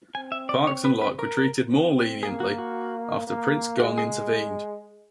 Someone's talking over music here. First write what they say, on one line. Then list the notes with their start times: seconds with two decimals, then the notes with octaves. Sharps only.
Parkes and Loch were treated more leniently after Prince Gong intervened.
0.15 C4 G#5
0.32 E5
0.49 D5
0.67 C#5
0.85 B4
1.02 B4
1.19 A#4
1.71 C4
2.23 A#3 G#4
2.40 F#4
2.58 F#4
3.28 A#3
3.80 G#3 F#4
3.98 G#4